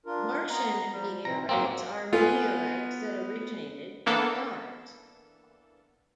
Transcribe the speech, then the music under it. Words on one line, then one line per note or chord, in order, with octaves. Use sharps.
Martian meteorites are meteorites that originated from Mars.
D4 F4 A#4
B3 A#5
F3 G3
G#2 B2 C4 A#5
G#2 F#3 A#3 C4
B3 F4 A4 B4 G#5
E3 A#3 B3 D4 A4